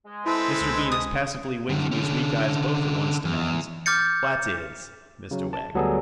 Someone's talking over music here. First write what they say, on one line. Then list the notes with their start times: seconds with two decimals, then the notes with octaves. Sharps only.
Mr Venus, passively winking his weak eyes both at once, demands: 'What is, Mr Wegg?'
0.06 G#3
0.26 C4 E4 A4 B4
0.61 C#2
0.92 D#6
1.69 F#2 D3
1.91 D3 C#4
3.25 E2
3.86 D6 F6 G6 A6 C#7
5.31 C#3 F#3
5.53 A5
5.74 D2 F#3 G3 B3 G#4 A4